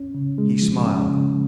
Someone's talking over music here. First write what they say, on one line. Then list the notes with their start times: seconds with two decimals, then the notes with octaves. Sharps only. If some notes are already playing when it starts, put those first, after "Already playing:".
He smiled.
Already playing: C#4
0.15 C#3
0.38 G#3
0.62 F3
0.86 C#4
1.10 C#3